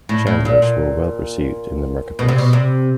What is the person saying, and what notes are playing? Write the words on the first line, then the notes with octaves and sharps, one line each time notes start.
Chandlers were well received in the marketplace.
A2
A2
A#2
A#2
B2
C3
B2
C3